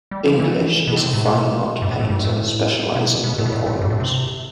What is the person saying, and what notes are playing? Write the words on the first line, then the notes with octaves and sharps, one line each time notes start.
English is a fine art painter specializing in oils.
G3
F3
E3
B2
C3
A2
B2
G2
B2
A2
G2
A2
B2
B2
A2
B2
A2
A2
G2
A2
C3